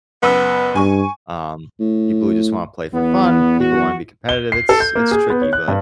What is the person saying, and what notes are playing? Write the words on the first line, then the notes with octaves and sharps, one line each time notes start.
um, people who just wanna play for fun, people who wanna be competitive. It's it's tricky but,
F#1 B3 B4 E6
G2 G#5 C#6
A2
E2 B3
F#4
G7
C7
A4
G6
A#3
G#4
B3
C#5
F#6
G2